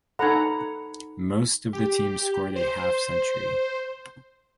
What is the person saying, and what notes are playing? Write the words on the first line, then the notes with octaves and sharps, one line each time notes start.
Most of the team scored a half century.
D#4 A4 C5 F#5 A#5 B5
G4
C5